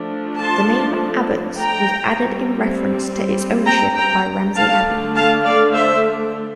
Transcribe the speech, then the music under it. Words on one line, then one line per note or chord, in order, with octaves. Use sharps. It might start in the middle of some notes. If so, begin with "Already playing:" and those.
The name "Abbots" was added in reference to its ownership by Ramsey Abbey.
Already playing: F3 A3 D4
A5 C6
G5 A#5
G3 C4
G5 A#5
G5 A#5
D3 A3 D4 F5 A5
F5 A5
D5 F5
C5 E5